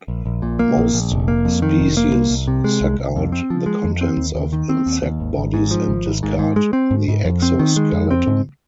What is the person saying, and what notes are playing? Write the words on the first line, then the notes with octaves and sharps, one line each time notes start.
Most species suck out the contents of insect bodies and discard the exoskeleton.
A#1
A#1
A#2
A#3
A#1
A#1
F1
A#3
F2
D#3
F1
A#3
C2
C2
C3
G#3
C2
C2
F2
C4
F3
G#3
F2
C4
D#2
D#2
D#3
C4
D#2
D#2
G#1
G#1
G#2
F3
G#1
G#1
G#2
G#2
G#3
C4
G#2
G#2
F2
C4
D#3
G#3
F2
C4
G#2